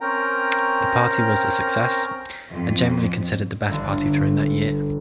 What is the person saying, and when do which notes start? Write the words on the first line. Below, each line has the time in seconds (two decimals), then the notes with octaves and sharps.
The party was a success and generally considered the best party thrown that year.
0.01 C4 C#4 A#4 G5 A#5
2.49 F2
3.69 G1 D3